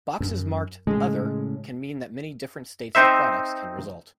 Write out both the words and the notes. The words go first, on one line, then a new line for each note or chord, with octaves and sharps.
Boxes marked "other" can mean that many different states of products can result.
F#2
A2 C#3 G#3
C4 D#4 C5 E5